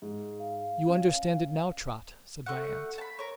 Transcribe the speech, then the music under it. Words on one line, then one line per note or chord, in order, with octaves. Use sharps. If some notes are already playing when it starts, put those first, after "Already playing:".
'You understand it now, Trot,' said my aunt.
G#2
F5
C#4
A3 F#4 F#5
A5 B5
A#4 C#5